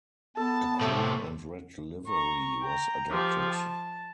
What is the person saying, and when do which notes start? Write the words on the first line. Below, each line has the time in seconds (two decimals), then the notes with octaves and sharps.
A cream and red livery was adopted.
0.37 B3 A4 A5
0.81 A2 C3 A3 A4
2.07 A#5 C#6
2.61 G5 A#5
3.10 F3 G4
3.50 A5